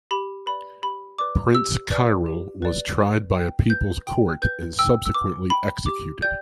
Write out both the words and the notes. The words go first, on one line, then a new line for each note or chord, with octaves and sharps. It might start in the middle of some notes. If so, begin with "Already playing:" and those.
Prince Kyril was tried by a People's Court and subsequently executed.
G4 B5
B4 D5 B5
G4 B5
B4 D5 D6
G4 E6
B4 D5
G4
B4 D5
B4
G5
B4 G6
G5
B4 G6
G5 E6
E6
B4 D6
G5 B5
G4 D6
D5 G5 G6